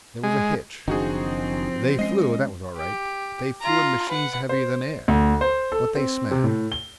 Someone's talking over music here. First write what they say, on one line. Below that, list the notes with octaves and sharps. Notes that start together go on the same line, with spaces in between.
There was a hitch. They flew--that was all right; they flew in machines heavier than air. But they smashed.
G#3
F#1 D#3 F3 C4 D4 D#4 F#4 G#4
G#3 B3 C#4 D#5 C7
G4
F4 A#5
B4 F#5
C5
D2
C5
A4
C4
C3
A2
G7